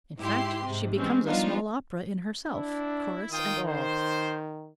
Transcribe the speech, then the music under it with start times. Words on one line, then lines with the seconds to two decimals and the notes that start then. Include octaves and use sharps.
In fact she becomes a small opera in herself, chorus and all.
0.18 G#2 E4 G4 C6
0.63 G#2 C3
0.96 E3 G#3 C4 C#4
1.26 F3 G3 B3 D4 D#4 F4
2.48 D4 E4
3.31 D#3 F4 G5 D#6
3.67 C5